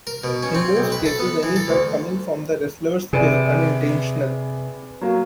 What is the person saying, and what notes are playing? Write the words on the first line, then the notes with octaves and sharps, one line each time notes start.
In most cases, any blood coming from the wrestlers is unintentional.
A#4
B2
C#4
C4
B1
B4
A4
B3
E3
A4
D2
C3 G#4 B4 D5
F#3 A#3